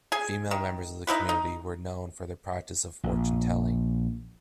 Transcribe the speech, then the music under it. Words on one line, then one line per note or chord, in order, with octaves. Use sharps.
Female members of the community were known for their practice of fortune-telling.
G#4 G#5
D#3
D#4 E4 G4 B4
D#4
A#1